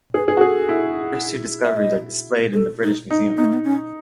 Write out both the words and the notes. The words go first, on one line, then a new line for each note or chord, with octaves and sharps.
The first two discovered are displayed in the British Museum.
G#4 B4
G#4 B4
F#4
G#4 A4
E4
E5
D#5
G#4
A4
D#4
D#4
B3 D#4
A3
B3
C#4